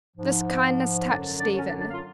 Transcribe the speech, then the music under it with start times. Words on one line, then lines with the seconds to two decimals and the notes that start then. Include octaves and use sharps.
This kindness touched Stephen.
0.16 G#2 F3
1.09 F#2 D3 F#3 D4 D5
1.40 D4 D5
1.56 C#4 C#5
1.68 D4 D5
1.79 D4 D5
1.91 F4 F5